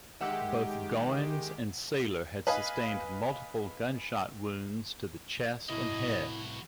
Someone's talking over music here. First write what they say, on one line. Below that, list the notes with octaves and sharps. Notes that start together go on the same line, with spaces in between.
Both Goines and Sailor had sustained multiple gunshot wounds to the chest and head.
D#3 G#3 G4 E5 F#5 E6
B4 D#5 F5 G#5
C2 A2 E3 E4 F#4 D#5